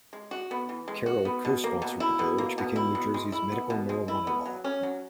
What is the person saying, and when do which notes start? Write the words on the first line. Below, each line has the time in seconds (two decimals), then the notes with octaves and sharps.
Carroll co-sponsored the bill which became New Jersey's medical marijuana law.
0.13 G#3
0.31 F#4
0.51 B3
0.69 E3
0.88 G#3
1.06 F#4
1.25 B3
1.45 B2
1.64 A#3
1.82 B2
2.00 E4
2.19 B2
2.38 A#3
2.58 B2
2.76 E4
2.95 B2
3.14 G#3
3.32 E4
3.52 B3
3.70 B2
3.89 G#3
4.08 E4
4.27 B3
4.45 F#3
4.64 C#4
4.83 F#3